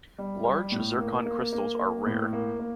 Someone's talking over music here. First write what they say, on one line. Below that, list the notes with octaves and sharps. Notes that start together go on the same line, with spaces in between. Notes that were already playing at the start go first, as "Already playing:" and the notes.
Large zircon crystals are rare.
G3
G3
A2
A#3
A#3
A#3
A#3
A2
A#3
A#3